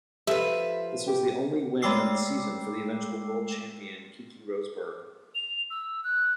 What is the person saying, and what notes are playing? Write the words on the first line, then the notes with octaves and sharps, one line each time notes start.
This was the only win of the season for eventual World Champion Keke Rosberg.
F3 G4 A4 B4 E5
G4
G#3 A3 G5 D6 E6 C7
F7
E6
F#6